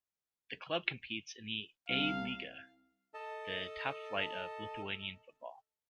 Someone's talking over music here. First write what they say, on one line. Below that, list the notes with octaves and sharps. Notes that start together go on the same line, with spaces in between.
The club competes in the A lyga, the top flight of Lithuanian football.
C2 F5
A4 D#5 A5